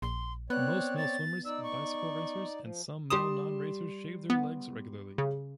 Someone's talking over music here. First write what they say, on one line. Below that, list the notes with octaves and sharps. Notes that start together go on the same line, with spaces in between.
Most male swimmers, bicycle racers, and some male non-racers shave their legs regularly.
A#1 C6
B3 C4 C#5 D5 F#6
A6
D#4 D5 E6
C#6
F3
G3 G4 C6 D#6 E7
B3
C#3